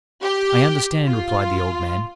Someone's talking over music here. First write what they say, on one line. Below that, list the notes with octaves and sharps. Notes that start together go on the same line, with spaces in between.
"I understand," replied the old man.
G4
F4